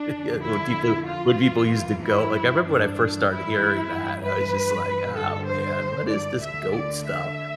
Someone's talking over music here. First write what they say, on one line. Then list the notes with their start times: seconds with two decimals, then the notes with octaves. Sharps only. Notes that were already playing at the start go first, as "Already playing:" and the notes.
Yeah, when people when people use the GOAT, like I remember when I first started hearing that, I was just like, "Oh, man. What is this GOAT stuff?"
Already playing: D4
0.13 F2 D3
0.44 E4
1.07 F4
1.39 G2 E3
2.03 E4
2.64 G2 E3 D4
3.28 E4
3.91 G2 E3
4.22 B4
5.16 G2 D3 A4
5.47 C5
6.10 D5
6.41 D2 D3 E5
6.73 D5
7.05 E5